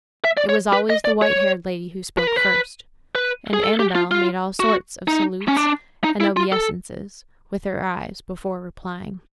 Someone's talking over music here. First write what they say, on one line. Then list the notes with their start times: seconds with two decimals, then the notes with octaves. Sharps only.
It was always the white-haired lady who spoke first, and Annabel made all sorts of salutes and obeisances with her eyes before replying.
0.24 E5
0.37 D5
0.49 C#5
0.73 B4
0.90 D#5
1.05 D5
1.22 C#5
2.18 B4
2.27 A#4
2.36 B4
3.15 B4
3.53 G#4
3.64 A4
3.79 G4
3.95 F4
4.11 F4
4.60 F#4
5.08 D#4
5.48 C#4
5.57 D4
6.04 D#4
6.20 E4
6.37 F4
6.52 A4